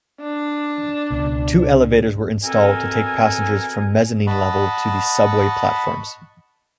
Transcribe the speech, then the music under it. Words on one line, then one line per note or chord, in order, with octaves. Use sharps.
Two elevators were installed to take passengers from mezzanine level to the subway platforms.
D4
C#2 B2
B2 C4 A4 A#4 G#5
D#5 F#5 A5 B5 C#6